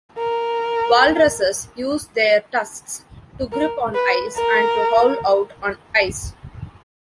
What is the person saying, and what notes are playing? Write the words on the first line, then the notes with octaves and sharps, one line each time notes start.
Walruses use their tusks to grip on ice and to haul out on ice.
A#4
A#4
B4
A#4